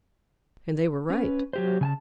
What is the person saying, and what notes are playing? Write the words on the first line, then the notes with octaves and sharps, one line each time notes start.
And they were right.
C#4 B4
F#3 G4 C5
C#3 G#5 A5